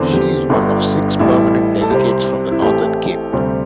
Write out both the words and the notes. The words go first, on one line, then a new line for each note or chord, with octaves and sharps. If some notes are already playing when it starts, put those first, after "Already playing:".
She is one of six permanent delegates from the Northern Cape.
Already playing: E2 D3 C4
G4
G1 G2 D3
A1 A2 G3 E4
A4
C2 C3 G3 C4 G4
E4
A1 A2 A3 C4 G4
D2 C3 G3 C4